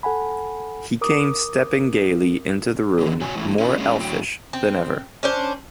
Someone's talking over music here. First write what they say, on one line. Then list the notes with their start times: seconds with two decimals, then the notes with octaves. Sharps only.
He came stepping gaily into the room, more elfish than ever.
0.03 A4 F#5 G#5 B5
1.01 A#4 D6 D#6
2.99 D3 E3
3.21 B2 F#4 C#5 G#5
3.35 G#2 E3 A3
3.59 C#4 E4 F4 B4
3.78 G#3 A#3 C#4 D4
3.99 F#2 A2 D3 F#3 G5
4.53 C4
5.23 C#4 D4 C5